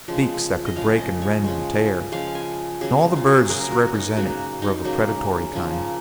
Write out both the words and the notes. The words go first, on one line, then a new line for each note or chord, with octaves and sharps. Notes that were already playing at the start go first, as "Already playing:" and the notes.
Beaks that could break and rend and tear--all the birds represented were of a predatory kind.
C#3 F3 G#3
D#5
C#3 F3 G#3 F5
D#5
C#5
C#3 F3 G#3
C#3 F3 G#3 F5
G#5
C#3 F#3 A#3 G#4
F4
F#4
G#4
C#3 F#3 A#3 A#4
F#4
D#4
C#3 F#3 A#3 F#4
D#4
C#3 F#3 A#3
C#3 F3 A#3